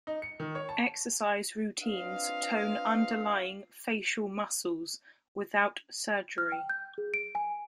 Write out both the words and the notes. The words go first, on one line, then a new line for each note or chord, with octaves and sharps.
Exercise routines tone underlying facial muscles without surgery.
D#4
C#7
D#3
C#5
A5
C4 D4 F4 B4 D#5 F5
F6
G5
G6
G#4
D7
G#5